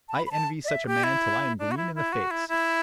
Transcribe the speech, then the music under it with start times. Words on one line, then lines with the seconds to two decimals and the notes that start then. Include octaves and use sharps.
I envy such a man till I am green in the face.
0.08 A5
0.14 B5
0.26 B5
0.32 A5
0.64 D5
0.68 E5
0.86 G4
1.04 E4
1.59 D4
1.71 F#4
1.77 E4
1.95 E4
2.13 F#4
2.31 E4
2.49 E4